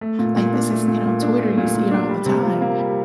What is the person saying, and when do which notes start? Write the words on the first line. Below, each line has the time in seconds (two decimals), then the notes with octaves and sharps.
Like, this is, you know, on Twitter, you see it all the time.
0.01 A3
0.19 A#2
0.36 A#2
0.53 D4
0.70 A3
0.88 A#2
1.06 A#2
1.23 D4
1.39 A3
1.58 A#2
1.75 A#2
1.91 D4
2.09 G3
2.26 C3
2.43 F4
2.62 A#3
2.79 G3